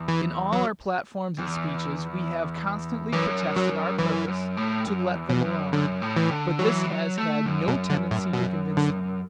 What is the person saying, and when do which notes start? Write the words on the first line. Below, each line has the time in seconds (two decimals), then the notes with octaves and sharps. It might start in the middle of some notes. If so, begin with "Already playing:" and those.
In all our platforms and speeches we have constantly protested our purpose to let them alone; but this has had no tendency to convince them.
Already playing: E2
0.08 E3
0.53 F#3
1.39 E2
3.12 F#2 E3
3.56 F#3
3.99 F#2 E3
4.28 F#2
4.57 A2
4.87 F#2
5.15 E2
5.29 B2
5.44 F#2
5.73 F#2 D3
6.02 A2
6.16 E3
6.31 D3
6.59 E3 F#3
6.88 F#3
7.18 A3
7.46 F#2
7.68 B2
7.90 D3
8.11 A2
8.33 B2
8.77 D3